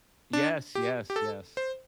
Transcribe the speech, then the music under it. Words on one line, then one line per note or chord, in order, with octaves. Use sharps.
Yes, yes, yes.
D4
G4
G4
A4
C5